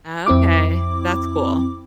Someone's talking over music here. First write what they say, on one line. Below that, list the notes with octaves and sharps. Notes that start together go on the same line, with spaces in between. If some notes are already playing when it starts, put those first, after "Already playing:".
Okay. That's cool.
F2 C4 E4 D6